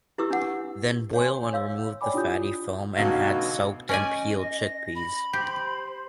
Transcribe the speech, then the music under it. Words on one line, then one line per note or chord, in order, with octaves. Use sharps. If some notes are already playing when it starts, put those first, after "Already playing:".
Then boil and remove the fatty foam and add soaked and peeled chick peas.
E4 G4 B4 C#6 D#6 E6
D4 F#5
C#5 G#5 C6
C#5 F5 E6
C#5 D5 G5 G#5 B5 D6
D4 E4 F4 G4 D#6 G6
A1 B2 D3 D#4 F#4 F5
C#4 D5 D#5 G#5
A#6
B5
G4 C5